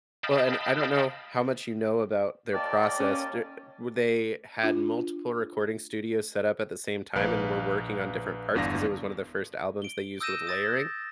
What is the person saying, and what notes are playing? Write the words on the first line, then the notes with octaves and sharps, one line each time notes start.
Well, and I don't know how much you know about their process. D w they had multiple recording studios set up at the same time and were working on different parts- 'cause it was one of the first albums they used with layering.
D#5 F5 G5 A5 B5
D#2 A#3 D5 D#5 G5 A5
C#4
D4 F4
A#1 B4 F5
G1 E2 D4 F5 A#6
D7 G7
D#6 E6 G6 A#6 D#7 E7
D#6 A6 A#6